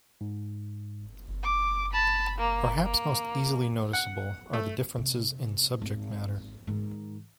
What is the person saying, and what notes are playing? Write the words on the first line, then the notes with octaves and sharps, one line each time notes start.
Perhaps most easily noticeable are the differences in subject matter.
G#2
D6
A5 B5
A#3
A#3
F#5
A3
C3
G#1
G#2 D#3